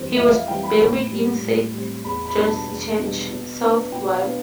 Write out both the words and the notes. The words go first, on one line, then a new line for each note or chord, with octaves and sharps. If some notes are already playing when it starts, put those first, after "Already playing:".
He was buried in Saint George's Church, Southwark.
Already playing: F2 E3 G3 C4 C5
F2 E5
F5
E3 G3 C4 G5
B5
A2
G3 C4
A2
G3 C4
E2 B5
B5
B2 G3 D4
A5
E2
B2 G3 D4
B2
B3 D4
B2 G5
F5
B3 D4